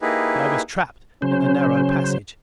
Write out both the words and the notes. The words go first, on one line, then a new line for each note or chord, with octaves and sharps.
But I was trapped in the narrow passage.
A#3 D#4 E4 G4 G#4 B4
C#3 F#3 C#4 C5